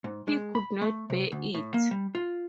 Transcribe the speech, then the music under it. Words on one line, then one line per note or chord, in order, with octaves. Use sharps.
He could not bear it.
G#2
G#3
B5
A3
C3
D2
A2
A#3
G3
F4